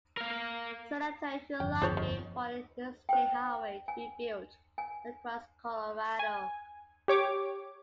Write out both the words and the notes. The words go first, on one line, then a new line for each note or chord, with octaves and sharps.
Senator who lobbied for an Interstate Highway to be built across Colorado.
A#4 F5
G1 F2 G5
D#2 F3 G#4 C5 C#5
D#3
C5 G5
G#5
G#5
G#5
G4 C#5 D6